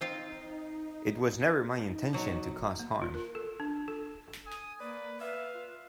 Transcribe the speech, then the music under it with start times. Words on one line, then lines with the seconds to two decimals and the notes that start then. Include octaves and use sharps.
It was never my intention to cause harm.
0.01 C4 D#4 F4 F5
1.89 D#4
2.13 B2 F#3
2.79 A#3
3.02 F4
3.14 A#4
3.35 A4
3.60 D4
3.88 A4
4.47 G#5 D#6
4.80 A#3 B4 D5
5.21 B4 E5 F5
5.55 F4